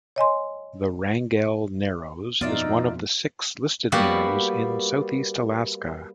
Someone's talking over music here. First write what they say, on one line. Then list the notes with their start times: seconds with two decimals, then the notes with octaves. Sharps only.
The Wrangell Narrows is one of the six Listed narrows in Southeast Alaska.
0.16 C#5 D#5 G#5 C6
2.41 F2 B2 B3 D#4 F4 D5 E5
3.92 G3 A#3 B3 F#4 G4 F#5